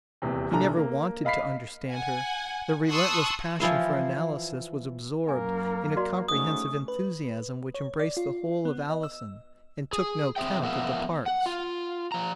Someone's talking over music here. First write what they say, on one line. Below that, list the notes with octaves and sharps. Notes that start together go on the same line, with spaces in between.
He never wanted to understand her; the relentless passion for analysis was absorbed in a comprehensive enthusiasm which embraced the whole of Alison and took no count of the parts.
D#1 E2 C3
C2 A#2 D3 A4 A#5
A#3
D#5 F5 B5 B6 C7
F#5 G#5
A5 C6 C#6 D#6 E6 F#6
E3 F3 E4 F5
F#2 A#3 A#4 G#5
F#4 D5 C6
G#2 A3 C#4 D#6
B4
C#5
D5
F4
B3
D#5
E6
G#4
C4 G#4 E5 G5
F3 B3 A#4 E5 F5
F#5
F4
F3 A#5